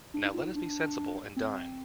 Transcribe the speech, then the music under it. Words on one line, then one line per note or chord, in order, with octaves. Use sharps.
Now let us be sensible and dine.
D4
D#4
F4
D#4
D4
C4